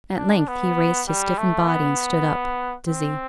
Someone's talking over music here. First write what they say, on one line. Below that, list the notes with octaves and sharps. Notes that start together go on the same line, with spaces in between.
At length he raised his stiffened body, and stood up, dizzy.
D4
B3
G3
A3
B3
C4